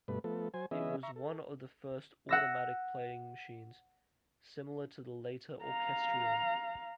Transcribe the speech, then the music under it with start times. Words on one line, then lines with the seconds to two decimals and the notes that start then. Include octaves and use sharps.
It was one of the first automatic playing machines, similar to the later Orchestrion.
0.08 G2 B2 A3 B4
0.24 F3 A3 B3 A4
0.54 F#3 C5 G#5
0.71 E3 B3 C#4 G#4 D#5 E5
1.03 E5 A#5 C#6
1.16 A4
2.29 F#5 E6 A#6
5.64 F5 A#5